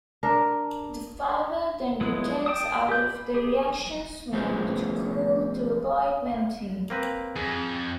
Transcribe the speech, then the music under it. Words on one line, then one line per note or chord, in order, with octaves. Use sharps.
The fibre then rotates out of the reaction zone, to cool, to avoid melting.
D4 A#4
F3 F#3 G#3 B3 E4
G5 A5 D#6
G4 G6
B5
G4 G#4
F3 A3 B3 C#4 G#4 C5
A#3 C4 B4
F2 G#4